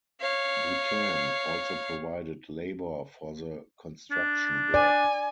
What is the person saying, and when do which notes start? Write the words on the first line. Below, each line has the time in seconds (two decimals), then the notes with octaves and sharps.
Bhutan also provided labour for the construction work.
0.21 C#5 F5
4.11 D4
4.74 D5 G#5